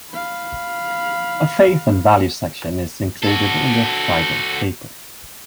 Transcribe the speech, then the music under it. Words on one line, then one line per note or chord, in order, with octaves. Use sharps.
A Faith and Values section is included in the Friday paper.
F5 B5
F#4 A4